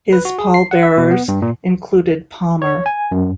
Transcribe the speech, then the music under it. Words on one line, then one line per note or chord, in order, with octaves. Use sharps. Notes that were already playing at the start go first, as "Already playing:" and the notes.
His pall bearers included Palmer.
B4
F#4
G#4
C7
F#5
E5
B2
B3
G2
A#2
C#5
G#5
F#2